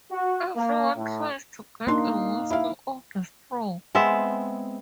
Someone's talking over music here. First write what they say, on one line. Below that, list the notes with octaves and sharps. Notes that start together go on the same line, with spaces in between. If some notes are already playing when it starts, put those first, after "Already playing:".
Everyone tries to get a wisp of the straw.
F#4
A#3
A2
A#3 D4 D#4 C6
E4 F5
G#3 B3 C4 E5